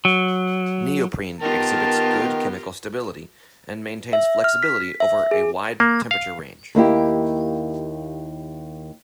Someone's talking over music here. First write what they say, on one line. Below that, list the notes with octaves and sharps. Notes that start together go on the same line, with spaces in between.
Neoprene exhibits good chemical stability and maintains flexibility over a wide temperature range.
F#3
D#3 B3 F4 G4 A#4 A5
E5
F6
B6
E5
G#4
A#3
F5
D#2 A#3 E4 G4